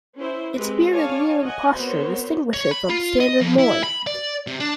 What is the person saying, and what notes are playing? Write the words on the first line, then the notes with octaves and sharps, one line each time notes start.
Its beard and kneeling posture distinguish it from standard moai.
C#4 E4 C5
G#3 C4 G4 B4
C#5 D5 F5 G#5 A5
D#5 F#5 G#5
B3 C4 F#4 A#4 C5 C#5
C#5
B5
F4
D#5
F2
E4
B5
D5
C3
D4